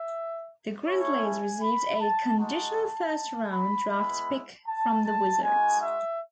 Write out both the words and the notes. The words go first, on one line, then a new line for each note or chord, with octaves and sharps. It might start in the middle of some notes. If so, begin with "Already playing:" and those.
The Grizzlies received a conditional first round draft pick from the Wizards.
Already playing: E5
A3 C#4 E4 C#5
G#5
B5
A5
G#3 D#4 F#4 A5
B5
G#3 B3 E4 B5
A5
A5
G#3 D#4 F#4 G#5
E5